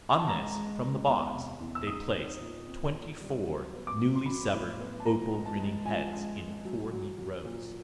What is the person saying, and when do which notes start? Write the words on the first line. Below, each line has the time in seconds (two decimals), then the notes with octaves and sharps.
On this, from the box, they placed twenty-four newly severed opal-grinning heads, in four neat rows.
0.19 A5
0.28 G#3 A#5
0.55 G#3
0.81 G#3
1.08 E2
1.35 C3
1.60 E2
1.75 E6
1.87 D#4 D#6
2.14 C4
2.40 A#2
2.67 C4
2.94 A#2
3.20 G3
3.47 F#3
3.73 B3
3.87 D6
4.00 B3
4.15 C6
4.26 F#3 B5
4.53 A2
4.79 B3
5.00 A5
5.06 F3 A#5
5.32 G#3
5.46 A5
5.59 G#3
5.85 F3 G#5
6.13 G#3
6.38 G#3
6.65 F#3
6.92 F#3
7.18 F#3
7.45 A#2